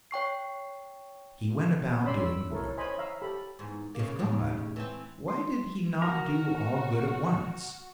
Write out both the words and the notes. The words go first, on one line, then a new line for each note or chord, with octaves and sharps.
He went about doing good: if God, why did he not do all good at once?
C#5 G5 C#6 C7
C#4 C#5 D5 B5 C6 E6
B5 E6
E4 A4 A#4 C#5
C5 C#5 D#5 G#5 B5
E5 F5 A#5
G4 A4 B5
E2 G#2
C#3 A#3
D#2 A2 C#3
E3 A3 C4
C6
F#4 A#4